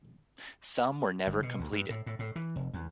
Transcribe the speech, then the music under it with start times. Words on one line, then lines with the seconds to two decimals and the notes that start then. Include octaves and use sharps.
Some were never completed.
1.27 G1
1.42 B2
1.60 D2
1.72 G2
1.90 A2
2.06 A2
2.19 A2
2.36 E3
2.56 F1
2.74 E2